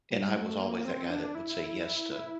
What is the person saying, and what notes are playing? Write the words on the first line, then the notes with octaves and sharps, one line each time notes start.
And I was always that guy that would say yes to,
G3
A3
A#3
C4
D4
E4